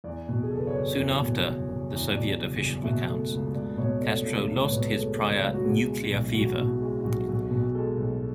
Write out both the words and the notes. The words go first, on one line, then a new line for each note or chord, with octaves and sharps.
Soon after, the Soviet official recounts, Castro lost his prior "nuclear fever".
E2 D5
B2
G#4
F#1 A4
B4
C#5
F#1 D5
E2
B2
F#1
F#1
E2
B2 D5
F#1
F#1
B2 E5
A3
C#2
C#2 D5
B2 C#5
A3 D5
C#2 A4
C#2
C#5
B2 B4
A4
A3 G#4
C#2
C#2
F#4
B2 G#4
G#3
B1
B1 F#4
B2 E4
G#3 E4
E4
B1 F#4
B1
B2
G#3 A4
B1